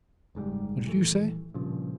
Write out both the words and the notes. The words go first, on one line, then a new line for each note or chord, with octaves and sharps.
"What did you say?"
F#1 G#2 C#3 G3
D#1 E3 A3
G2 A#2 C#3 F3